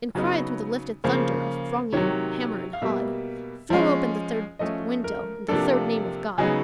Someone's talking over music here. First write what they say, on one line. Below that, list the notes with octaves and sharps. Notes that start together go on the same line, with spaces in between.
And cried through the lifted thunder Of thronging hammer and hod 'Throw open the third window In the third name of God.'
C#3 F#3 B3 D#4
C#3 F3 A#3 C5
C3 D#3 F#3 C#5
F5
B2 G3 A#3 E5
F3 G#3 C#4
F3 A3 C#4 D#5
A#4
C3 F3 A#3 D4 A4
C#3 F#3 B3 D#4 G#4